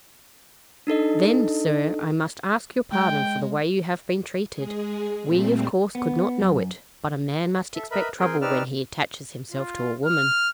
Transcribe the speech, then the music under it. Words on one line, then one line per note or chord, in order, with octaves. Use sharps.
"Then, sir, I must ask your pardon for the way you have been treated. We, of course, could not know it, but a man must expect trouble when he attaches himself to a woman."
D4 D#4 A4 D#5
G#3 G5
G#3 G#4
A#2 G3 A3 C4
B3
F#2
A4 E5
A#4 B4 D#5 E5 B5
C4 G#4 A#4 G5 G#5 C6
C4 D#4 B4 D5 E6 F6
F4
F6